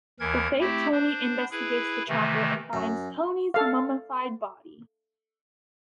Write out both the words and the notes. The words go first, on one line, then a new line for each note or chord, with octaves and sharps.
The fake Tony investigates the chapel, and finds Tony's mummified body.
D#2 E3 A#4 G#6
A3 C4 E4 G4
D4 C5
E4 G#4 B4
C3 D#3 E3 A3
F#2
A4 F5